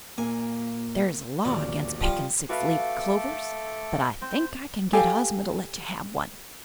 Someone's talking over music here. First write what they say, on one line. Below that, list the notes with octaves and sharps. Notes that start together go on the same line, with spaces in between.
"There is a Law against picking six-leaved clovers, but I think I can get Ozma to let you have one."
A#2 A#3 G#5
D1 A#1 D#2 D4 D5
F3 G3 F4
A3 F#4 A4 B4 F5 D6
C4 C5
G4 A4 F5 G#5